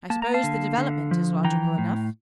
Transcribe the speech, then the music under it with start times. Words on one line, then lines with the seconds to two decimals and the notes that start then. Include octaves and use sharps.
I suppose the development is logical enough.
0.10 A#3 A5
0.22 A#5
0.34 F5 A5
0.43 D3
0.77 D3
1.11 F3
1.44 E3 G5 A#5
1.78 A2